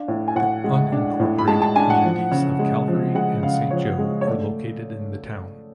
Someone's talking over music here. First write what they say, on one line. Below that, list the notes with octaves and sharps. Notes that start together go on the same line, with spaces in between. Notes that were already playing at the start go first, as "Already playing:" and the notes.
The unincorporated communities of Calvary and Saint Joe are located in the town.
Already playing: D4 F5
A2
G#5
A2 F#5
G#3
D4
A2
B5
G#3 A5
A5
D4 G#5
F#5
F3
C#3
G#3
F3
G#3 F#5
C#3 F5
F3 C#5
G#3
C#5
A3 D5